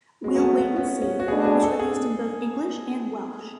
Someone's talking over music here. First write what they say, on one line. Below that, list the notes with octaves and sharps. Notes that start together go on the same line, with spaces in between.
We'll Wait and See was released in both English and Welsh.
F#3 G#3 C#4 F#4
B3
A3
B3
C#4
C#4
F#4
B2 A3 D4 G#4
G#4
A4
G#4